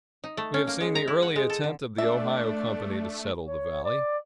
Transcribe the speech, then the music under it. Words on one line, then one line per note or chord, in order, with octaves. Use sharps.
We have seen the early attempt of the Ohio Company to settle the valley.
D#4
A3
C#4
A#3
G#3
A#5
E4
F#5
G#3
A4
D3
A3 D4 D5 E5
C#5
D5